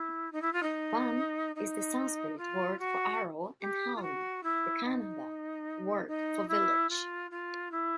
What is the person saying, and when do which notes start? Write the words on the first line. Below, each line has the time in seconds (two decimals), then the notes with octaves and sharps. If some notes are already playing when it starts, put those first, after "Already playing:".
"Ban" is the Sanskrit word for 'arrow' and "Halli" the Kannada word for 'village'.
Already playing: E4
0.32 D#4
0.41 E4
0.53 F4
0.62 D#4
1.55 D#4
2.37 F4
2.79 F#4
3.60 G4
3.95 F4
4.02 F#4
4.43 E4
4.84 D#4
6.07 D#4
6.48 E4
6.89 F4
7.30 F4
7.71 E4